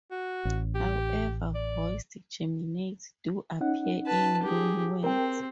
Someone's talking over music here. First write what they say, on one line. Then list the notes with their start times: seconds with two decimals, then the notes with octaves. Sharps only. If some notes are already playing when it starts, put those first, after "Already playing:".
However, voiced geminates do appear in loanwords.
0.11 F#4
0.45 A1
0.75 G4
1.55 D5
3.61 C#4 D#4 F#5
4.07 B4 A5
4.43 G4 G#4
5.04 C4 A#4 G5